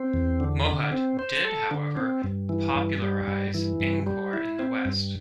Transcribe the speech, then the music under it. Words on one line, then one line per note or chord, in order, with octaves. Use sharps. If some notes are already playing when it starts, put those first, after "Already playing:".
Mouhot did, however, popularise Angkor in the West.
Already playing: C4
E2
D3
D3
C4
C5
A4
D3
C4
G2
E3
G2
G3
G2
E3
G2
G3
E4
C4
G2